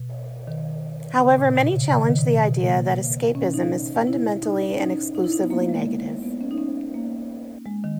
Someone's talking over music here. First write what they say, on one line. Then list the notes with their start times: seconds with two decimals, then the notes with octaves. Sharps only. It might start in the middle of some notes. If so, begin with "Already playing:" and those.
However, many challenge the idea that escapism is fundamentally and exclusively negative.
Already playing: B2
0.47 D#3
1.19 C#3
1.38 A#2
1.56 B2
1.73 C#3
1.91 D#3
2.01 C#3
2.10 D#3
2.19 B2
2.45 B2
2.64 A#3
3.35 C#4
3.54 D#4
4.07 E4
4.43 D#4
4.74 C#4
4.79 D#4
5.15 D#4
5.24 E4
5.32 D#4
5.41 B3
5.50 A#3
5.69 G#3
5.77 A#3
6.22 B3
6.41 C#4
6.51 D#4
6.58 C#4
6.94 A#3
7.66 G#3
7.84 D#3